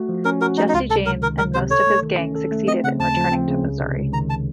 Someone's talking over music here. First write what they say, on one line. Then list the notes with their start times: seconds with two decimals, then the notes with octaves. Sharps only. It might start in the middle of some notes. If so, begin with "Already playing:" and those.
Jesse James and most of his gang succeeded in returning to Missouri.
Already playing: A3 F#4
0.09 F3
0.25 C#4 A#4
0.41 F#4 A#4
0.57 A3 D#4
0.68 D#4
0.74 C#2 F4
0.89 C3 A4
1.06 C#2 A#4
1.22 D#3 A#4
1.38 C#2 A#4
1.54 C3 C5
1.71 A4 C#5
1.87 A3
2.03 D#3
2.19 C#4
2.36 A4
2.52 A3
2.68 C4 D#5
2.84 C#3 F#5
2.99 D#2 A5
3.17 F3
3.32 C4
3.48 C#3
3.64 C#2
3.80 C3
3.97 C#2
4.12 D#3 A#5
4.30 A5